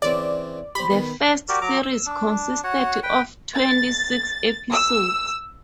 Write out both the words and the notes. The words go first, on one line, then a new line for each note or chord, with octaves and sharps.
The first series consisted of twenty-six episodes.
C#3 E3 C4 D5
G4 C5 B5
D#3 B3
F#4 G4 A#4 D5
F#3 A#5 D6
E6
D4
F#4 C#5 F#5
B4 G5
A6
E6